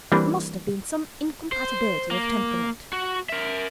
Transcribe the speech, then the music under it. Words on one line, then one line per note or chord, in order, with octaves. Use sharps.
It must have been some incompatibility of temperament.
E3 G3 A#3 C4 D4
C5
A#3
F#4
A#4 E5